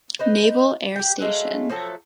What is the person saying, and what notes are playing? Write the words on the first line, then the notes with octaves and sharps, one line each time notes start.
Naval Air Station.
D#4 B4 C5
G4 G5
F#3 G#3 A3 F5
F3 F#3 A3 A4